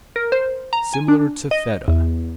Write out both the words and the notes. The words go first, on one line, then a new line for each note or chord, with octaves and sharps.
Similar to Feta.
A#4
C5
A#5
G#5
D4
D#5
E2